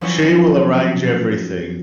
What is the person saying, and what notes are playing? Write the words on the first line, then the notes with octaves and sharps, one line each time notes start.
She will arrange everything.
F3 F#3 C#4 E4 B4 C#5